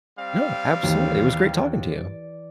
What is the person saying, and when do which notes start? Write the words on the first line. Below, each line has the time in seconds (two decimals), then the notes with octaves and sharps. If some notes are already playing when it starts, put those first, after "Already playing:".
No, absolutely, it was great talking to you.
0.18 G3 C4 F5
0.83 D#2 E3
1.92 D5